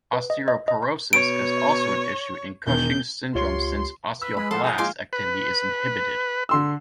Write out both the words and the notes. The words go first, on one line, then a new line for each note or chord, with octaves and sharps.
Osteoporosis is also an issue in Cushing's syndrome since osteoblast activity is inhibited.
B4
D#5
D#5
D#5
C6
B2 C#5 D7
E1 D#3 G6
C#2 F4 G4 C#5 C6 G7
B4 E6
G#3 B4 B5
F3 A4 F#5 C6
D#4 G#4 F5
A#2 G#3 F4 G#5 C6 D6
B4
D3 C6 E6